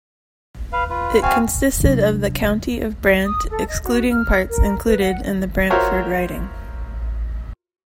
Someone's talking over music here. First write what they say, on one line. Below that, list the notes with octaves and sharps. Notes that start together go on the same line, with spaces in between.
It consisted of the County of Brant, excluding parts included in the Brantford riding.
B4 F5
F4 B4
C4 F#4 F5 G#5
C3 F#3 D4
D#6
A4
D#5
F#4
F6
A#4
B4
F#5
F4 F#4 A#4 C5 C#5 E5